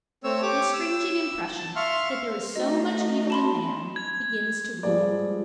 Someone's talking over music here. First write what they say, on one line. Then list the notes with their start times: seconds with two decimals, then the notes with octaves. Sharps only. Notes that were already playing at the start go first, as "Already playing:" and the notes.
The estranging impression that there is so much evil in man, begins to weaken.
0.24 A3 C4 C#5 E6
0.42 G4 C#5 D6
0.73 E6
1.58 A5
1.76 E5 F5 C6 C#6 F6
2.56 A3 D#4 F#4 D#5
3.30 A5 B5 C6
3.96 G#6
4.83 F3 G3 G#3 B4 D5